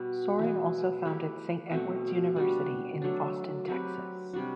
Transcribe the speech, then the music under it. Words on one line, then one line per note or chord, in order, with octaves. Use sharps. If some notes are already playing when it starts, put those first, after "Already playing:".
Sorin also founded Saint Edward's University in Austin, Texas.
Already playing: B2 G3 B3 F#4
E3 B3 E4
A3 E4 G4 B4
B2 A3 C4 F#4
G3 D4 F#4
F#3 A3 D4
F#3 C4 G4 B4
C3 G3 D4 F#4